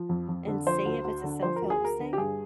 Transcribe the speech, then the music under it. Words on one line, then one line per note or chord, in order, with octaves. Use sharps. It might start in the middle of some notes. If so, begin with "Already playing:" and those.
and see if it's a self-help state
Already playing: F3
F2
F2
D3
F3 C5
D2
D2
D3
F3 C5
A#4
D2
G#4
D2 A#4
D3
G4
G2 G#4